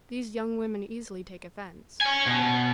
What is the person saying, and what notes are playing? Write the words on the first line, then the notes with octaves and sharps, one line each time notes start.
These young women easily take offense.
C#5 G#5
B2